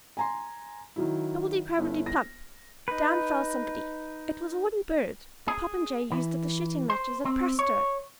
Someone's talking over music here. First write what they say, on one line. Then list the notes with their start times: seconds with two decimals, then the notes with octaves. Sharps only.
"Kribledy, krabledy--plump!" down fell somebody: it was a wooden bird, the popinjay used at the shooting-matches at Prastoe.
0.17 G#5 A#5 C6
0.96 D#3 F#3 E4
1.77 G1 E4
2.06 A#6
2.88 D#4 B4
5.48 G#4
6.12 E3
6.90 C5
7.25 C4
7.59 C#5